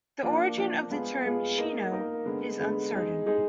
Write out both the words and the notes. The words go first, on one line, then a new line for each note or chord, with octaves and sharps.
The origin of the term "Shino" is uncertain.
F3 A#3 D4
F3 A#3 D4
G#3 B3 F4 G#4
G#3 B3 F4 G#4
A#3 D#4 A#4 D#5
A#3 D#4 A#4 D#5
D3 G#3 B3
D3 G#3 B3
G#3 D#4 G#4
G#3 D#4 G#4